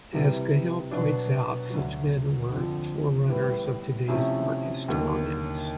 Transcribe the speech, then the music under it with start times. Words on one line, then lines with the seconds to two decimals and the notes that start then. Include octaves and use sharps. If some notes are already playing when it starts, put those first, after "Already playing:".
As Cahill points out, such men were the forerunners of today's art historians.
0.12 C3 E3 G3
0.91 B2 F#3 B3 D4
1.70 D2 D3 F#3
2.51 F2 D3 F3
3.29 A2 E3 G3 B3
4.08 C3 F3 A3 C#4 E4
4.88 D#2 D3 F#3 A#3